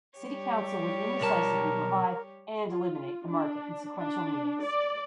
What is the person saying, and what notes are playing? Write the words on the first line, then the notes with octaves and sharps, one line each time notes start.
City Council would indecisively revive and eliminate the market in sequential meetings.
G3 G4 C#5
B1 A#4 A5
F4
D4
D4
D5